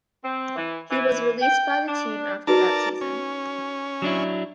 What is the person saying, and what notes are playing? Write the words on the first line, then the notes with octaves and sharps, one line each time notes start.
He was released by the team after that season.
C4
E3
E3
G5
D4
D#4 F#4 A#4 B4 D5 A5
C#4
F#3 D4 E4